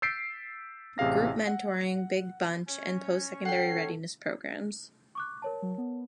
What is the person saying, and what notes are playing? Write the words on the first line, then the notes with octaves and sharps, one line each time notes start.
Group Mentoring, Big Bunch, and Post Secondary Readiness programs.
E6 G6 A6 B6 C7 D7
A1 C3 G#4 F5 A#6
F#5
C#4 C#5
A4 F#5 G5 C7
C#6 D6 F#6
A#4 C#5 A5
F#3
B3